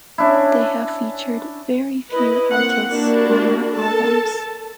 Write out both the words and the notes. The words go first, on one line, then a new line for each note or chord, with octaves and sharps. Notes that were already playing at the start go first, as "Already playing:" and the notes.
They have featured very few artists on their albums.
C#4 D4 E4
E4 B4 D#5
A#3 C4 F#5
A#3 D4 E4 F#4 G4 A#4
A4 A#4 A5